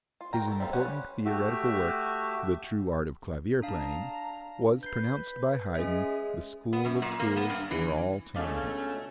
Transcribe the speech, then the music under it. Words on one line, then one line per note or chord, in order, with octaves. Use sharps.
His important theoretical work, "The True Art of Clavier Playing," was pronounced by Haydn the school of schools for all time.
F4
F#4 A#4 G5 A#5
B3 A4
G3 B3 C4 E4 F4
G3 C#4 B4 C5 F#5
A3 F#4 G4 E5
D4 F5 A5 A#5
B4 G6 C7
G#3 C#4 G#4 E5
B3
F#2
A#2
A#3
B3
G2
E3
C#2 B2 A3 C#4 D4 A4 D#5 F5